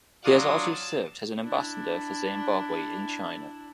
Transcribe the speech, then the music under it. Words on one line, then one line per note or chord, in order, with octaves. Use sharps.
He has also served as an ambassador for Zimbabwe in China.
F#3 D4 F4 F#4 D#6
A5
D4 E4